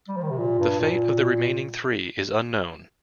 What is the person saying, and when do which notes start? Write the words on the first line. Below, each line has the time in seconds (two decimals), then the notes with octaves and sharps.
The fate of the remaining three is unknown.
0.08 G3
0.16 F3
0.23 D#3
0.30 C3
0.38 A#2
0.58 G2
0.80 A#2